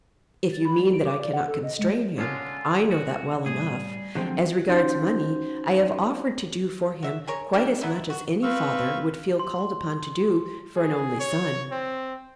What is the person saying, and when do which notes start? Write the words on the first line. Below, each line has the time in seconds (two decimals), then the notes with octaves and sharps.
"If you mean that I cannot constrain him, I know that well enough. As regards money, I have offered to do for him quite as much as any father would feel called upon to do for an only son."
0.52 A6
0.65 B5
0.79 G3
0.93 D7
1.05 D6
1.19 D5
1.34 F#5
1.48 A4
1.63 D#5
1.79 G#3
2.18 D3 G#3 C#4 F4
2.91 F#4
3.46 A2 G3 G#4
4.15 D3 F3 F#3 G#3 C4
4.69 C#4 D#4 F#4 C5 C6 G6
7.03 F#4 E5
7.27 G#4 A#4 C#5
7.53 D#3 F3 D4
7.81 F#3 B3 D#4 E4
8.10 F#4
8.43 C4 B4 F5 C#6 E6
9.39 C6
10.76 G#4
11.20 C#5
11.72 C4